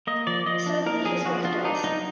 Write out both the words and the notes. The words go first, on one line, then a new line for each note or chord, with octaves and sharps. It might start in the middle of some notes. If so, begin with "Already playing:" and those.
Suddenly his wife dies.
A#3 D#5
F3 D5
F3 D#5
D4
A#3 A#4
F3 G#4
F3 F#4
D4 F4
D4 D#4
F#3 D#4